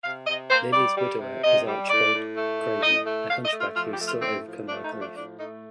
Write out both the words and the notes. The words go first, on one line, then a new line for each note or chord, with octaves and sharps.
Lily's widower is Archibald Craven, a hunchback who is still overcome by grief.
C3 F5
C3 D#5
A#3 C5
G3 D5
G3
C3
C3 D#5
G3
A2 D5
A2
A3
A2
A2 D#5
A3
A3 F5
D#5
A3
F4
F3 F4
G4
A3
F4
A2 C4
F3
A3 D4
D#4
F3
D4
A2 D4
A3 D#4